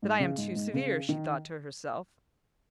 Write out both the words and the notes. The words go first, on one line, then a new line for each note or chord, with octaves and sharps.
"But I am too severe," she thought to herself.
G#2
C#3
G#2
G#2
C#3
D#3